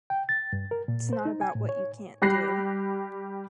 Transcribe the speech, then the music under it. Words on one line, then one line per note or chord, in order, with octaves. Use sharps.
It's not about what you can't do.
G5
A6
G2
A#4
A#2
C5
D#4
G#5
A2
C#5
G3 G4 B5 F#6 A#6 C7